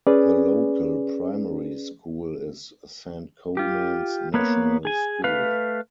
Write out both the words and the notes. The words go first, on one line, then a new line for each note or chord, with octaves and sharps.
The local primary school is Saint Colman's National School.
C#4 G#4 B4 D5
F4 G4
A#3 B3 B4 C#5
G#4 G#5
A3 B4 F5